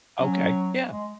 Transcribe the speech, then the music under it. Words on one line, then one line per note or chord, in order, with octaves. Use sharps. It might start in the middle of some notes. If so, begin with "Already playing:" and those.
Okay, yeah.
F#3 C#4
G#3